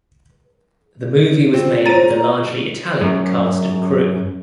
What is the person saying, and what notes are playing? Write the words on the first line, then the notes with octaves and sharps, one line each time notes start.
The movie was made with a largely Italian cast and crew.
C4 F4
C5 C#5 A#5 A6 D#7
F#2